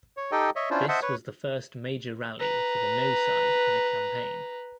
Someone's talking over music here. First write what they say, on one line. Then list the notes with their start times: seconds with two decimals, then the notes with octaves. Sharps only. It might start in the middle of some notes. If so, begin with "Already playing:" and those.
This was the first major rally for the "No" side in the campaign.
0.17 C#5
0.32 D#4 G4 A4 D#5 G5
0.56 C#5 D#5 E5
0.71 C#4 D4 E4 F4 C5 D5
0.88 C5 D#5 E5 F#5 A5
1.02 B4 C#5
2.40 B4 A#5